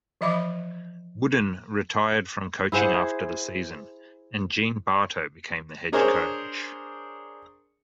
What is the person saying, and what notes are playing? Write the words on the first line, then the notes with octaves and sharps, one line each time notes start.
Wooden retired from coaching after the season, and Gene Bartow became the head coach.
E3 F3 D#5 E5 B5 D6
E4 G#4 C5 F#5
D4 G#4 A#4 C5 C#5